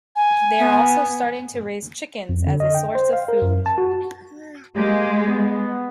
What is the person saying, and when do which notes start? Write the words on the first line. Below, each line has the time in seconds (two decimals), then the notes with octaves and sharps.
They are also starting to raise chickens as a source of food.
0.16 G#5
0.59 B3
2.29 F2
2.47 D3
2.60 D#5
2.74 G5
2.95 C5
3.13 F5
3.28 A#4
3.42 F#2
3.66 A5
3.78 F#4
4.76 G#3 A#3 G4
5.26 B3